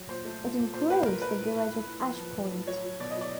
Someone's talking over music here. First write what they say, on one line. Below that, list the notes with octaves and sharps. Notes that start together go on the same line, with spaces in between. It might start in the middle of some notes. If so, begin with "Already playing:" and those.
It includes the village of Ash Point.
Already playing: F#3
A#2 C5
A3
A#2
A#2
A#2 C5
A#2 B4
A#2 A#4
A#2 B4
A2
A2
A2
A2
F3
F3
F3
A2
F#3 C#5
F#3
B2 D5
D#5
F#3 D5